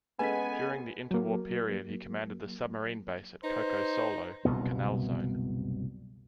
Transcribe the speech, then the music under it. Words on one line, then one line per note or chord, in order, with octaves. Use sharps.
During the inter-war period, he commanded the Submarine Base at Coco Solo, Canal Zone.
G#3 B3 C#4 A4 B4 D#5 G#5 B6
F#3 A#3
D#4 B4 C5
F#1 C2 B2 B3